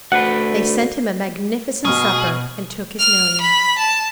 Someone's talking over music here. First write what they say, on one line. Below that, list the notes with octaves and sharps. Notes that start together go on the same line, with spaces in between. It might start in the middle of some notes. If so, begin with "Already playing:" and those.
They sent him a magnificent supper, and took his million.
D2 A3 D4 B4 F#5
B2 G#4 C#6 F6
F6
B5
A5